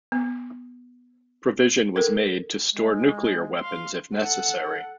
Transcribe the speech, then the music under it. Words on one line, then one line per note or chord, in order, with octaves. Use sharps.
Provision was made to store nuclear weapons if necessary.
B3
A4 A#4
G#3
F5 C6
A4 F#5